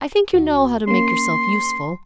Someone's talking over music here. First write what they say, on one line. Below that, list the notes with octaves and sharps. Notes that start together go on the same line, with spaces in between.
I think you know how to make yourself useful.
D2 F#4
A#3 C#4 C6